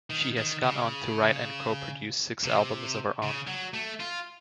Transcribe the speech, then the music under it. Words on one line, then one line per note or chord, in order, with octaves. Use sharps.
She has gone on to write and co produce six albums of her own.
D#3
D#3
C#3
C3
C#3
F#3
A3
F4